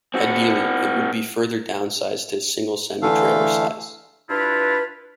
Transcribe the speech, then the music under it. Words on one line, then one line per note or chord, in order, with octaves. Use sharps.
Ideally it would be further downsized to a single semi trailer size.
C4 F#4
D3 E3 A3 A4 F5
G2 D4 E4 F4 B4